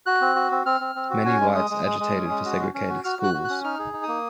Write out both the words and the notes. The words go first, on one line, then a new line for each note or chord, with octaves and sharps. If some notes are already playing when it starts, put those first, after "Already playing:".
Many whites agitated for segregated schools.
F#4 F#6
C4
F#4
C4
C4 F6
C4
C4
F#4
C#4 G#5
G#3
G#3 D#6
G#3
G#3
G#3
C#4
G#3
F#4
C#4
C#4
F#4
F#4 F6
F#4
F#6
F#4
C#4 F#6
D#4 F6
G#4
D#4
A#3 D#6